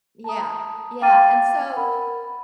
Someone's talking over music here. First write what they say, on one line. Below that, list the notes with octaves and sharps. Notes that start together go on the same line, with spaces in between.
yeah, yeah, and so
A5 A#5 D#6
F5 G5 D6 F6 A6 D#7
A#4 F#5 B5